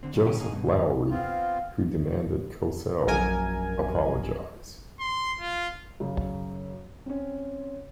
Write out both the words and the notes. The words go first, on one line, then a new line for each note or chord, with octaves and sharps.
Joseph Lowery, who demanded Cosell apologize.
D3 C4
G2 F3
A2 D3 G3 B3 C#4 G4
A#3 D#4 G#4
G2 B2
E2 G#2 D3
B3 C4 F4 F5
A#1 F#2 A#4 G#5 G#6
C6
F4
F#2 C#3
C4 C#4